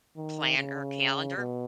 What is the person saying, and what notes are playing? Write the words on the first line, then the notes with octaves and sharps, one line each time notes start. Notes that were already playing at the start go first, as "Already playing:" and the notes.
planner calendar,
D#3
C#3
B2